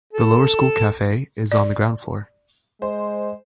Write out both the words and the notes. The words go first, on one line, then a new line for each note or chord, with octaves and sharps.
The lower school cafe is on the ground floor.
A4
D5
G#3 C5